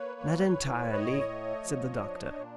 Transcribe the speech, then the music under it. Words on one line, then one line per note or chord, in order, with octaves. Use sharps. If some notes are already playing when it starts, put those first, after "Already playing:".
"Not entirely," said the doctor.
Already playing: A#3 B4 C#5
E3
A2
A2 C#5 D#5
A3
F3
D4
A#2